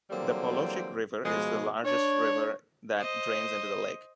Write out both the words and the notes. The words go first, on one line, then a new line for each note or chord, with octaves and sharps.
The Polochic River is the largest river that drains into the lake.
D3 E3 F#3 G3 A#3 C4
B2 F3 G#3
D4 C#5
C5 D#5